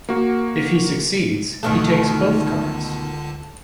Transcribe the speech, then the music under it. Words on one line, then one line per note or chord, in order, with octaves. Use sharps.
If he succeeds, he takes both cards.
A#3 F#4
C#2 B2 D3 D#3 A3 A5